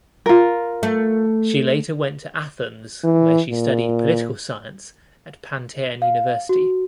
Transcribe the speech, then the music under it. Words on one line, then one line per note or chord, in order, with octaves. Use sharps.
She later went to Athens where he studied political science at Panteion University.
F4 A#4
A3
E3
A#2
F5
F#4